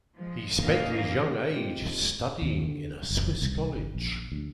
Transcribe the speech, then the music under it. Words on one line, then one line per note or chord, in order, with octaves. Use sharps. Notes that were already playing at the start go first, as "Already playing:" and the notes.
He spent his young age studying in a Swiss college.
F3 G#3
G#2 E3 A#3 C#4 D#5 F5
G#3 C4 F4 G4
D#2
D3
F#1
C2
G1
A#1
D2